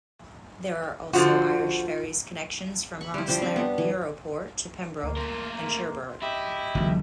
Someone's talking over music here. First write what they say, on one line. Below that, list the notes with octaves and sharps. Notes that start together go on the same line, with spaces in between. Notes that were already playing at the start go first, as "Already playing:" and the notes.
There are also Irish Ferries connections from Rosslare Europort to Pembroke and Cherbourg.
D3 F3 F4 F#4
B5 C#6
G3 E4
F3 G3 D4 C5
C4
B3
E3
D2 A#3
A3 A#4 C6
E4 G4 D#5 E5
F#1 C#2 D3 E3 F#3